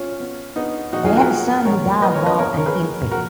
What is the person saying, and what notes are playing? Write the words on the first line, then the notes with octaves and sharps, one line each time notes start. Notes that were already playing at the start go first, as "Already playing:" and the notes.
They had a son who died while an infant.
Already playing: C#4 F4
B2
B3 D#4
A#2 F3 D#4 F#4
F4 G#4
F#4 A#4
A#2 F3 A#4 C#5
B4 D#5
A#4 C#5
B4 D#5
B2 A#4 C#5
A#4 C#5
G#4 B4
A#2 F3 F#4 A#4